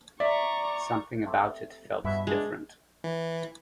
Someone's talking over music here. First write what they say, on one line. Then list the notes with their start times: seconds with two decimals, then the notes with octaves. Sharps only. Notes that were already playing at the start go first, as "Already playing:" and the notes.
Something about it felt different.
0.20 D5 E5 A#5 C#6
1.25 A3 C4 G4
2.04 G2 B2 E4 E5 F#5
2.27 G#3 D4
3.04 E3